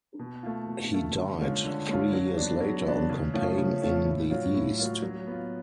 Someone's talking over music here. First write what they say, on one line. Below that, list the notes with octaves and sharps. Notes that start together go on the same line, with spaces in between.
He died three years later on campaign in the east.
B2
A3 F4
B2
A3 F4
D3
G#3 C#4 F4
D3
G#3 C#4 F4
F#3
B3 D4
F#3
B3 D4
C#3
F3 A3 C#4 F4
C#3
F3 A3 C#4 F4
A2
F#3 C#4 F4
A2
F#3 C#4 F4
F#3
B3 F4